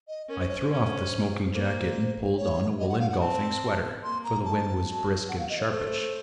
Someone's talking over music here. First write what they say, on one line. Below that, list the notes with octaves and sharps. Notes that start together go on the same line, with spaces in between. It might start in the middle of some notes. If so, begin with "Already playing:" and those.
I threw off the smoking-jacket and pulled on a woolen golfing sweater, for the wind was brisk and sharpish.
D#5
C#4 A#4
C5
C#5
C5
C#4
A#3 C5
C#5
D#5
F#5
F5
F#5
C4 A5
A#3 C6
A#5
A5
F#3
F#5
F5
D#5
C#5
A3 C5